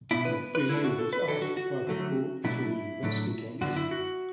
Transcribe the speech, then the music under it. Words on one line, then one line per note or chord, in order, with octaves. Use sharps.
Orfila was asked by the court to investigate.
B2 B3 D4 E4
B4
B4
D3 A3 D4 E4
F#4
A4
B4
D3 F#3 D4 A4
F#4
F#4
D3 F#3 A3
B2 F#3 A3 D4 E4
A2 F#3 A3 D4
F#2 D3 B3 D4 F#4
E4
F#4